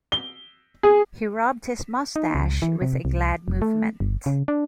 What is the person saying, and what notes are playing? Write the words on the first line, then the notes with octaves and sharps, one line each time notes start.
He rubbed his moustache with a glad movement.
G7
G#4
D#4
C#2
E3
C3
C2
F1
A3
G1
C#3
D4